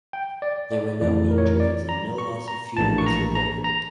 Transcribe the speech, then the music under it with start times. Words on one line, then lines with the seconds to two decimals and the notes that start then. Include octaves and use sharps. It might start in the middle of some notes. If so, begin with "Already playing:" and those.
There were no injuries and no loss of fuel was reported.
0.13 G5
0.42 D5
0.72 D5
1.01 F2 E3 A3 E4 D5
1.31 A#4
1.38 C#5
1.45 A#4
1.60 D5
1.89 A#5
2.18 C#6
2.48 A#5
2.77 A#1 A2 E3 A#3 D4 A5
2.98 C#6
3.06 A#5
3.35 A#5
3.64 A#5